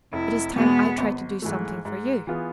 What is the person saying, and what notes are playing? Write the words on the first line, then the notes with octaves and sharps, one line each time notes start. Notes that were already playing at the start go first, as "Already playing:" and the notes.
"It is time I tried to do something for you."
F1 E4
E2 B2 G#3 B3
G#1
G#2 E3 A3
G#2
E3 B3 F4 G#4